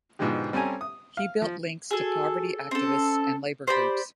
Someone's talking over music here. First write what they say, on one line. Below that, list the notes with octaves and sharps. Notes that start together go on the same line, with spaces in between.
He built links to poverty activists and labour groups.
G#2 B2 D3 F3 G#3 G4
G3 C4 C#4 A4 G#5 A#5
D#6
F5
F3
F#4 G#4 A4
C4 C#4 A4
G4 C5 D5 B5